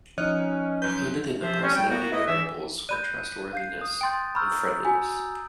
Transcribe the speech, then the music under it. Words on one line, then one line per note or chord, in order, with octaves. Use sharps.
Included in the personality variables were trustworthiness and friendliness.
F3 C#4 D#4 C#5 D#5 F6 F#6
F#2 B4 G6
C3 F3 C5 E5
G3 C4 C#4
G3 G5
A#3 B3 F#4
E4 B4 D#5
E2 E3 E5
D5 B5 F#6 G6 D#7
F5 G6 C7
D#6
G5 C6 G6 A6 D7
A#5 B5 C#6 E6 F6 G6
F#4 G#5